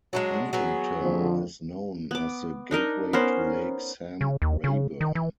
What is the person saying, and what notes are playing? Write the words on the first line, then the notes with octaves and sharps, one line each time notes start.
Huntington is known as the "Gateway to Lake Sam Rayburn".
F#3 G#3 D4 F#4
F#3 B3 F#4 G#4
F2 D3 F3
B3 D6
D4 D#4 A#4 D#5
B3 C#4 A#4 C5
C#3
D#2
C#3
D#3
E3